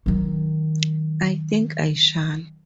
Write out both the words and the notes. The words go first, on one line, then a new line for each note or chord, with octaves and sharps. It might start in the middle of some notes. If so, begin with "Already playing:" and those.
I think I shall.
D#3 F#3